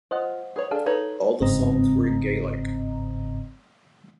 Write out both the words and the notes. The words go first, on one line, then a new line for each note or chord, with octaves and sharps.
All the songs were in Gaelic.
F4 C5 D#5 F#5
G#4 B4 C#5
D4 G#4 A4 F5
D#4 A4 B4 C#5
G1 G#2 C#3 C4 D#5 A#5